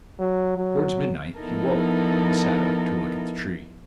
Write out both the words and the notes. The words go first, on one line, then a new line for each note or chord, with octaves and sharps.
Towards midnight he awoke, and sat up to look at the tree.
F#3
F#3
F3 B3 D#4 E4 A4 A#4